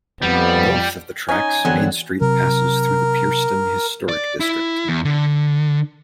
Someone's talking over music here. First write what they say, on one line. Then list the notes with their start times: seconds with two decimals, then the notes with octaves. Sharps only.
North of the tracks Main Street passes through the Pierceton Historic District.
0.22 F2 G3 B3
1.29 C#4 D#4 G#5
1.65 E2 D3 F#3 C4
2.21 C3 F#3 A#4
4.09 D5
4.40 E4
4.89 E2
5.05 D3